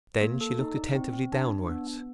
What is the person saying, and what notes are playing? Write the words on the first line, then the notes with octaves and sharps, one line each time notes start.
Then she looked attentively downwards.
A#3
A4
D#4
D5
C4
C4
D4
D4
B3
B3